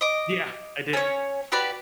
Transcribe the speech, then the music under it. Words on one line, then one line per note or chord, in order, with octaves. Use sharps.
Yeah. I did.
D#5 D6
C#4 C#5
F#4 G4 B4 D5